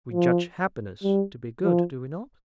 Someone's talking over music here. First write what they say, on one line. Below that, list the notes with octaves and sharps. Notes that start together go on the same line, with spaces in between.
'We judge happiness to be good, do we not?'
F3
G3
F3